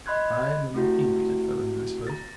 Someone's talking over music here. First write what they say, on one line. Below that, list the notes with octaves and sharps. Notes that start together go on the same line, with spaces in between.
I am an impudent fellow, I suppose.
D#5 B5 C6 F#6 G#6
A3 C4 E4 F#4 G4
A#5 A6